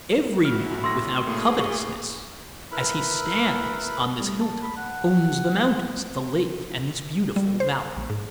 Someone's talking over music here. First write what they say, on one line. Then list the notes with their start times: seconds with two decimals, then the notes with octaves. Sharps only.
Every man without covetousness, as he stands on this hilltop, owns the mountains, the lake, and this beautiful valley.
0.45 E4 F#4 F6
0.84 A2 C6 E6 A#6
1.27 A2 A#3 G#4
1.60 C#6
2.72 E4 A#4 B4 B5
4.21 G3 A3
4.41 A5
4.62 B5
4.77 F#5
7.36 G3
7.60 C5
7.97 A#1
8.10 G#2